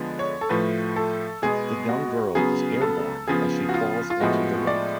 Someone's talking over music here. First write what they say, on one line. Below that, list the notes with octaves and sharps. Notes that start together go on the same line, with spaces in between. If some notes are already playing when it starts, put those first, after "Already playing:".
The young girl is airborne as she falls into the lake.
Already playing: D3 F3 G#3 B3
C#5
A4
A2 F3 A3 B4
A4
B2 G#3 B3 G#4
F#4
C#3 F#3 B3 G#4
A4
C#3 F3 B3 G#4
F#4
F4
F4
A2 F3 G#3 B3 F#4
D5